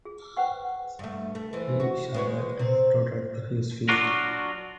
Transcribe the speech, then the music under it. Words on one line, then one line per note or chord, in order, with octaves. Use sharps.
He shuddered and tottered to his feet.
G#4
B4 C5 F#5 G5 C#6
G2 A3
A3
E3 G#3 C4
F#4
G#3 B3 C#5
C3 C4
F#3 D4 F4 F#4 A#4